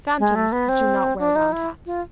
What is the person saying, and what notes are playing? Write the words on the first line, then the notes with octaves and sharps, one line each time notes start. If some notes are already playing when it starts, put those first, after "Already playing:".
Phantoms do not wear round hats.
G#3
A3
B3
C4
D4
D#4
E4
F4